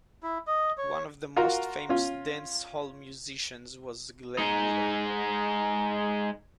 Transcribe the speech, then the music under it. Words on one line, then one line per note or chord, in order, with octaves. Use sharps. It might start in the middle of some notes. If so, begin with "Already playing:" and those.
One of the most famous dance hall musicians was Glenn Miller.
E4
D#5
C#5
F4 F#4 A#4 F5 A#5
C#4 F4
G#3 D#4